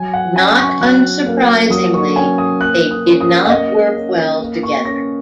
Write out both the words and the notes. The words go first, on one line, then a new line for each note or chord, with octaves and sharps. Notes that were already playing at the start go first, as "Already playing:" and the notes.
Not unsurprisingly, they did not work well together.
Already playing: F#3 G#5
F#5
C#4 G#5
C#6
F#3 F#6
A#3
F#3 D#6
C#6
C#4 G#5
D#6
A#3 F#6
D#6
C#4
D#6
F#5
A#3 D#5
C#4
A#3
C#6
C#4 A#6